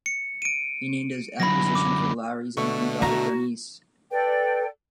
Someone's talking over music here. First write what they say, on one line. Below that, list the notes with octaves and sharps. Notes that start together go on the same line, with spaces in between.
He named his acquisition for Lowery's infant daughter, Bernice.
C#7
D7 D#7
F#2 D3 B5 A#6
D6
B2 D3 A3 C#6
E4 F#4 A#5
A4 B4 D5 G5